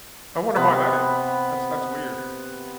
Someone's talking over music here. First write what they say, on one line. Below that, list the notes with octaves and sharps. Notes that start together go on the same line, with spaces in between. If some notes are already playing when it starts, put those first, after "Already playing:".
I wonder why that is. That's that's weird.
C3 B3 B4